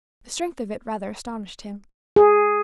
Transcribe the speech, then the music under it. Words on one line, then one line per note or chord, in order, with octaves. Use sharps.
The strength of it rather astonished him.
G#4